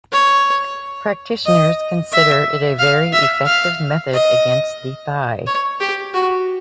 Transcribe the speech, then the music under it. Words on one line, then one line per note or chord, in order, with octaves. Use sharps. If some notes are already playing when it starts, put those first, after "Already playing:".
Practitioners consider it a very effective method against the thigh.
C#5
D#5
E5
F5
E5
F5
D#5
C#5
G4
F#4